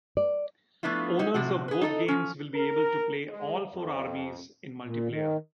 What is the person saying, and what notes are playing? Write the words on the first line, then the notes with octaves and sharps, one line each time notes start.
Owners of both games will be able to play all four armies in multiplayer.
D5
F3 A3 B3 D4 E4 F4
D#4 E4 F#4
A2 C3 F3 F#4
G#4 B4
D#4 A4 D#5
F3 C#4
A#4
G#3
F2
A#2
D#3